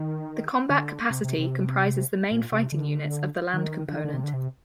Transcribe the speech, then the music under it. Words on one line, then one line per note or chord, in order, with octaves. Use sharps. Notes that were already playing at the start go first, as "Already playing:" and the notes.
The combat capacity comprises the main fighting units of the Land Component.
Already playing: D#3
D3
C3
C3
C3
A#2
C3
D3
D#3
D3
D#3
D3
C3
D3
C3